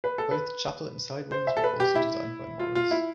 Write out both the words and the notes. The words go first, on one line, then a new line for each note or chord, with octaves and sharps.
Both chapel and side wings were also designed by Morris.
B4
A4
B4
C5
E5
A4
B4
G4
E4
F4
F4
E4